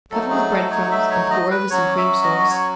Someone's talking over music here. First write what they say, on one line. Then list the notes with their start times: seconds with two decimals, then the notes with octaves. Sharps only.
Cover with bread-crumbs and pour over some cream sauce.
0.11 F#3 A3 D#4 A4
0.31 G#4
0.51 A4
0.71 C#5
0.91 E5
1.11 C#5
1.30 D#5
1.51 B4
1.70 F#3 C#4 F#4 C#5
1.97 E5
2.24 D#5
2.50 C#5